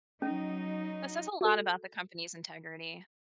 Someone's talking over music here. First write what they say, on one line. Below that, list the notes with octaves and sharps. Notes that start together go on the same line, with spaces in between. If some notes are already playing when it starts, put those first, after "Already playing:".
That says a lot about the company's integrity.
F#3 C#4 D#4
F#4 A4